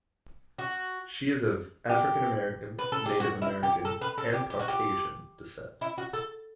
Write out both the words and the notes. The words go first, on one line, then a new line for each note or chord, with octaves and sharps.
She is of African American, Native American, and Caucasian descent.
F#4
G4
B4
A4
G4
F#4
E4
G4
A4
B4
A4
G4
G4
F#4
G4
E4
F#4
A4